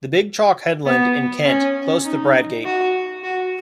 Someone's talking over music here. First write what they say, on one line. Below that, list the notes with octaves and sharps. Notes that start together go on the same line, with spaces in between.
The big chalk headland in Kent, close to Bradgate.
B3
C#4
D#4
F#4
F#4